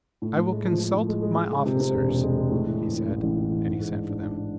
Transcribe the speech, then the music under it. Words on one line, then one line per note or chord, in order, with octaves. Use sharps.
"I will consult my officers," he said; and he sent for them.
A2
A2
G#3
F3
F3
A2
G#3
G#3
G#3
G#3
C3
C3
E1
C3
G#3
G#3
A2
E3
E3
A2
A1
A1
A2
E3
G#2
G#3
D4
D4
D4
D4